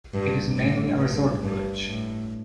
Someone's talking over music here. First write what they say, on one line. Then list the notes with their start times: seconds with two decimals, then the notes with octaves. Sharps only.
It is mainly a resort village.
0.14 G2
0.57 A2
1.00 G2
1.43 G2
1.86 A2